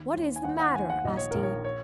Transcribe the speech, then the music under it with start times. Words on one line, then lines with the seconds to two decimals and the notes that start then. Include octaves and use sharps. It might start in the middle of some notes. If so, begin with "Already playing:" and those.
'What is the matter?' asked he.
Already playing: D#2
0.14 D#2
0.36 G#5
0.44 D#2 F#5
0.60 F#5
0.75 D#2 G#5
0.90 F#5
1.05 A#1 D#5
1.17 C#5
1.31 A#1 A#4
1.43 C#5
1.64 C#5